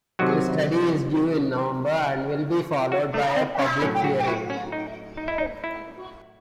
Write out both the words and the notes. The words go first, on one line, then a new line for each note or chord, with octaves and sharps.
The study is due in November, and will be followed by a public hearing.
C3 D#3 F#3 F#4
F#4
A3
C4
C#4
A2 F#3 C#4
F#4
E4
C#4
D#4
D#4
E4
D#4
E4